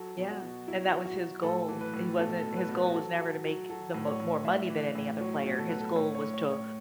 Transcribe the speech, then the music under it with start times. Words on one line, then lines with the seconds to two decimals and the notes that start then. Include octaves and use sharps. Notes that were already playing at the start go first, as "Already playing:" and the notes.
Yeah, and that was his goal. He wasn't his goal was never to make the mo more money than any other player. His goal was to
Already playing: F#3 A4
0.17 B2
0.30 F#4
0.42 B2
0.68 F#3 E4
0.93 F#3
1.05 F#4
1.18 F#3
1.43 A2 A4
1.68 E3
1.81 B4
1.94 A2
2.18 B2 A4
2.37 A4
2.44 B2
2.56 B4
2.69 B2
2.76 B4
2.87 F#4
2.94 F#3 A4
3.19 F#3
3.44 F#3
3.69 F#3 A4
3.94 A2
4.07 C#5
4.20 A2
4.45 A2 E5
4.70 E3
4.95 A2
5.20 F#3 C#5
5.45 B2
5.58 A4
5.68 F#3 B4
5.79 A4
5.96 A2 C#5
6.15 C#5
6.21 A2
6.34 C#5
6.46 A2
6.53 C#5